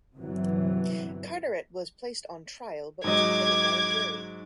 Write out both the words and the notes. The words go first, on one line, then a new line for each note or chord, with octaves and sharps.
Carteret was placed on trial, but was acquitted by the jury.
G1 C3 E3 F#3
G#2 F#3 D#5 D6 G#6